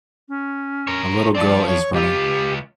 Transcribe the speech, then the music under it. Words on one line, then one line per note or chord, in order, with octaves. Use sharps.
A little girl is running.
C#4
A#4 C#5
F3 C4 D5
C#5
C#2 F4 G4